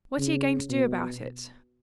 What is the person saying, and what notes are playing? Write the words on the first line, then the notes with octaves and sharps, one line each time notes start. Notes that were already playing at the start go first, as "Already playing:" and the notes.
"What are you going to do about it?"
C#3
B2